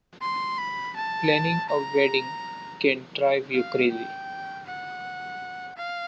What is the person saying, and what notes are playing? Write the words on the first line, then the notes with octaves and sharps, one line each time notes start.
Planning a wedding can drive you crazy!
C6
B5
A5
A#5
F5
G5
F#5
F5